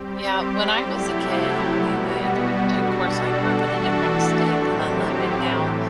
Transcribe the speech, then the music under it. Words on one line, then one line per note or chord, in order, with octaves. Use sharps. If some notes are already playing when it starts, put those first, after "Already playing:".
Yeah. When I was a kid, we would of course, I grew up in a different state than I live in now,
Already playing: G3 C4 G4
C3 F#3 A3 E4 G4
B2 G3 B3 F#4
B2 G3 D4 F#4 A4
E3 A3 D4 F#4 A4
A2 F#3 C4 G4
A2 E3 A3